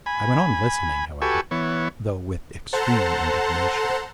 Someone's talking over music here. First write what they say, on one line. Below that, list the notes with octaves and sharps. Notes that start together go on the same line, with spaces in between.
I went on listening, however, though with extreme indignation.
G#5 B5
F#4 G4 A4 B4 G#5 C#6
E3 B3 C#5
A4 C5 F#5 A5 A#5 C6